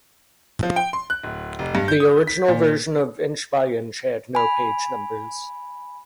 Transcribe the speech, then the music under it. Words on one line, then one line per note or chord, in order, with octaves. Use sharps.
The original version of "Inch by Inch" had no page numbers.
F3
G5
C6
F#6
D1
F1
G2
G6
D#6
B6
A#2
G#5 B5